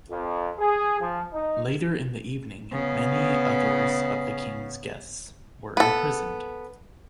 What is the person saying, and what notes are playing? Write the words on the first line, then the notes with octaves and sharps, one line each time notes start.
Later in the evening, many others of the king's guests were imprisoned.
F2
G#4
F3
D#4
C#3 B3
B3 A4